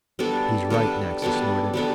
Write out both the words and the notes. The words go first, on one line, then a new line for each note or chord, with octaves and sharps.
"He's right," Naxa snorted.
G3 B3 D4 A4
G3 B3 D4 A4
G3 B3 D4 A4
G3 B3 D4 A4